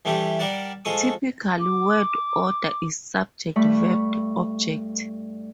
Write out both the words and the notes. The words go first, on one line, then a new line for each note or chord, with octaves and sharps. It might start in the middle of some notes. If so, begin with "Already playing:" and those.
Typical word order is subject-verb-object.
E3 G3 A3 D4 G4
G3 A#4 D5 F#5 A5
F3 G#3 A4 C#6 D#6
D6
G2 A3 B5 C#6